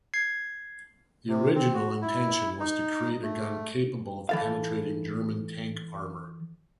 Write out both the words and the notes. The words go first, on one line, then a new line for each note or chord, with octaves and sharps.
The original intention was to create a gun capable of penetrating German tank armour.
G#6 C7
C3
C4
F#4
E4
D#4
A3
E3 A4 F5